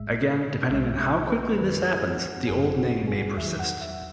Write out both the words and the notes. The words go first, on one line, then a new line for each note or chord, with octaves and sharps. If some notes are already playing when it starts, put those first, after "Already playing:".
Again, depending on how quickly this happens, the old name may persist.
Already playing: A1 A2 G#3 E5
B1 B2 G#3 E5
E5
B4
F#2 D#3 G#3 B4
G#4
F#4
F#4
G#1 F#2 E3 G#4
F#4
G#4
E2 D#3 F#3 E5
F#5
E5